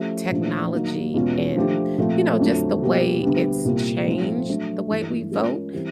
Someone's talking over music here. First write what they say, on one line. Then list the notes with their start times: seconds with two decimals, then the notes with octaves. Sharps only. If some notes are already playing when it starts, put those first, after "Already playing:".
technology and, you know, just the way it's changed the way we vote?
Already playing: F3 A3 C#4 E4 G4
0.31 A#2 F3 A3 D4
0.73 F#3 A#3 D#4 F#4
1.14 E2 B2 G#3 C#4 F4
1.56 F3 A3 D4 G4
1.98 A#2 F3 A3 C4
2.40 F2 D3 F#3 A3
2.82 B2 G3 A#3
3.23 D2 D3 G3 B3
3.65 C2 A#2 G3 A#3
4.06 G#2 F3 A3 C4
4.49 F#3 A3 D4
4.89 G2 E3 A3
5.32 G#3 C#4 F4 A#4 C#5
5.73 E3 G3 C4